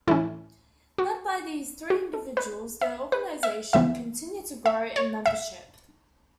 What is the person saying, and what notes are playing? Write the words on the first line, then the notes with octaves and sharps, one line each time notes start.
Led by these three individuals, the organization continued to grow in membership.
A2 E3 C#4 E4
F#4
F#4
A4
B4
E5
B4
E5
C#2 C#3 E3 B3 E5
E5
C#5
E5